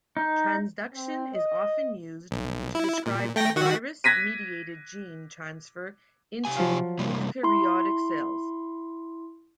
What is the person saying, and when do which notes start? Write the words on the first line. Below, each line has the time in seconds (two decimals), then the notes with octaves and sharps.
Transduction is often used to describe virus-mediated gene transfer into eukaryotic cells.
0.17 D#4
0.93 C4
1.34 D#5
2.31 B1
2.75 E4
3.06 A#2
3.36 A3 G5 A#6
3.56 D#3 F#4 F#5
4.04 F#6 G#6 A#6 B6 D#7
6.45 C3 G4 G#5
6.57 F3 F#3 F5
6.99 C3 G3 A#3
7.43 E4 C6